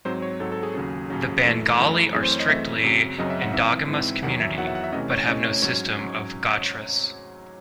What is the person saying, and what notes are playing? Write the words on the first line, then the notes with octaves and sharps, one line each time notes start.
The Bangali are strictly endogamous community, but have no system of gotras.
G#2 F#3 C4 C5
C#5
G#2 F#3 C4 A4
A4
G#4
D#2 C#3 F#3 C#4 G#4
D#2 C#3 F#3 C#4
F#2 E3 A3 A4
F#2 E3 A3
F#2 E3 A3 C4 G#4
C5
C#5
D#5
F#2 E3 A3 C4 E5
F#2 C#3 F#3 C4
F#2 C#3 F#3 C4 D#5
E5
F#5
G#2 E3 C4 E5
G#2 E3 C4
E2 D#3 F#3 F#5
E5
E2 D#3 F#3 F#5
E5
F#5
E5
C3 E3 A3 C#4 D#5
C#5
C3 E3 A3 C#4 D#5
C#5
G#2 F#3 C#4 C#5
G#2 F#3 C#4